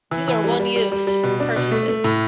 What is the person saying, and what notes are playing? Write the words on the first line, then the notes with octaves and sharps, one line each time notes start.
these are one-use purchases
E3
E3
G3
G3
G3
G3
G3
B2
D4
B2
A3
A3
A2